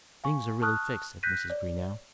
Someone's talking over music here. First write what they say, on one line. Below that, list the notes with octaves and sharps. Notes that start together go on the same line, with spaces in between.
"Things are really fixed," said Mrs. Greenow.
F5 G#5 C#6
A5 C#6 D#6 F6 F#6
F#6 G6 A#6 B6 D#7
C#5 D5